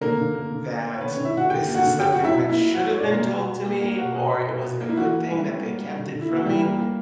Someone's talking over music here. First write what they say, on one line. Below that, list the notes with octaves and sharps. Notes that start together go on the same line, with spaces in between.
that this is something that should have been told to me or it was it a good thing that they kept it from me,
D3 A#3 A#4
D3
A#3
D3
A#3
A#3
C#5
D3 B3 B4
C#4 C#5
D3
E4 E5
D3 F#4 F#5
D3 G4 G5
A#3
F#4 F#5
D3
F#3 G4 G5
F#3 F#4 F#5
E4 E5
B2
A#3 E4 E5
F#3
F#4 F#5
F#3
C#5
B2 D4 D5
A#3 A#4
B2
G3 G4
B2 F#4
B2
A#3
A#3
B2 F#4
B2
B2
B2
B2
A#3
E4
E3 F#4
A#3
G3
G3
A#3
G3
D3
D3
E4
A#3 F#4
G3 A#3 G4
A#3
A#3